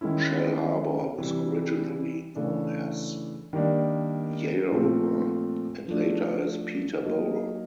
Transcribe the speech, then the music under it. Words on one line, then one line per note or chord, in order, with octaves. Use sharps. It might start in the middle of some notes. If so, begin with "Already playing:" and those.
Shellharbour was originally known as "Yerrowah" and later as "Peterborough".
D#3 G#3 C#4 E4
C3 E3 G3
C#3 E3 A3 D4
D#3 G3 A#3 D4
A#2 F3 A3 C4
F3 A3 D4
F#3 A#3 D#4